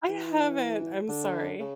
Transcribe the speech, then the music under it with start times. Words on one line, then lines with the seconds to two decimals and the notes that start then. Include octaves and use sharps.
I haven't, I'm sorry.
0.09 E3
1.08 D3
1.60 C#3